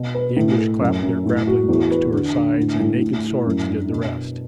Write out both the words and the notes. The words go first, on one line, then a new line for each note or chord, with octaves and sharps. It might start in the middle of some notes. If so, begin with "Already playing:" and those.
The English clapped their grappling-hooks to her sides, and naked swords did the rest.
Already playing: B2
B4
A2
A4
F#2
F#2
A2
F#4
E2
B4
D3
D3
A2
A2
A2
E4
F#2
D4
B2